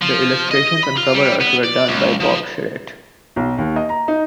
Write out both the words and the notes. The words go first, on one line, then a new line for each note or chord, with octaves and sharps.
The illustrations and cover art were done by Bob Charrette.
F3
D#5
B5
F4
G3
B3
D5
C#2
F3
B1
D#2
D#5
A#5
D#4